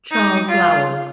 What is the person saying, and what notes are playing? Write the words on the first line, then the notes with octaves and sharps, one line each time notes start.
Charles Lowell.
D#4
F4